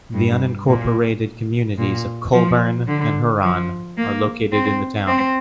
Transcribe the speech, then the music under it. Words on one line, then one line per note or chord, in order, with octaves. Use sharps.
The unincorporated communities of Colburn and Huron are located in the town.
G2
A#2
A#2
F3
D3
F3
A#3
C4
C4